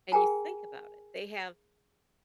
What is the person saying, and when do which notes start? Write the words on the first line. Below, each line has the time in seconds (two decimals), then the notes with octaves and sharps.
and you think about it, they have
0.12 G#4 A#4 G5 G#5 A#5